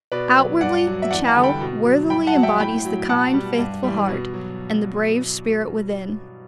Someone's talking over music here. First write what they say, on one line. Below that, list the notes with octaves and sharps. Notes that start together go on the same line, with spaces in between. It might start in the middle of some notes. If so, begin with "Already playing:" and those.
Outwardly, the Chow worthily embodies the kind, faithful heart and the brave spirit within.
B2 B4 D5
F#3
G2 D5 F#5
F#3
E5
E2 D5 F#5
F#5 A5
D3 G3
G5 B5
B2
F#3
G2 G5 B5
F#5 A5
F#3
E5 G5
A2 G5 B5
F#3
B2 F#5 A5
G3
G2
E3 G3
B2
F#3